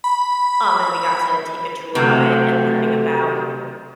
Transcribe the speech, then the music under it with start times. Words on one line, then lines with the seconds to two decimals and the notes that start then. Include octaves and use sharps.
um, and we got to take a tour of it. And learning about
0.04 B5
1.95 C3 F#3 A3